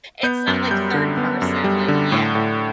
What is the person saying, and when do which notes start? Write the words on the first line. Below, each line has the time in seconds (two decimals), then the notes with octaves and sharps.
It's not like third person, like, yeah,
0.23 B3 G6
0.47 F#2
0.71 G3 G6
0.94 D3
1.17 B3
1.42 F#2
1.64 G3
1.88 D3
2.12 A2
2.35 A2